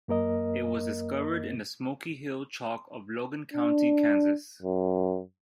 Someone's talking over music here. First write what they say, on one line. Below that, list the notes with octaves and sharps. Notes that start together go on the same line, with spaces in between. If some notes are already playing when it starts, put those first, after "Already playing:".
It was discovered in the Smoky Hill Chalk of Logan County, Kansas.
F#2 A#3 A#4 D#5
D4
F#2